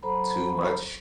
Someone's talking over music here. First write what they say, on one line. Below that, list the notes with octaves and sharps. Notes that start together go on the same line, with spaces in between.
too much.
F#3 A4 C5 A#5 B5